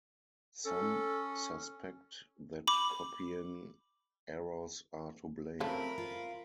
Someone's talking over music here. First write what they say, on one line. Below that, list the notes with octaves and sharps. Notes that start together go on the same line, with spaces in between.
Some suspect that copying errors are to blame.
C#4 A4
B5 D6
C#3 F3 A3 C4 A#4 B5
F4